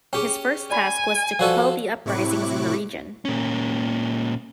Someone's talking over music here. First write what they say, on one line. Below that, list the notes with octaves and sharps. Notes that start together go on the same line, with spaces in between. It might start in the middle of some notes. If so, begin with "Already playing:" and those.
His first task was to quell the uprisings in the region.
C#4 G4 G#4 G5
D5 G#5 B5
F3 F#4 A4 B4 D5 F5
A2 C3 E4 C#6 D6 F#6
A#2 C#4